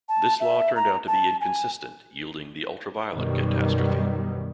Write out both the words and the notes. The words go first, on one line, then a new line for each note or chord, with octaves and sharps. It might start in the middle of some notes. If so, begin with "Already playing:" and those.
This law turned out to be inconsistent yielding the ultraviolet catastrophe.
A5
E5
A#5
A5
G#5
F#2 B2 D#3 G3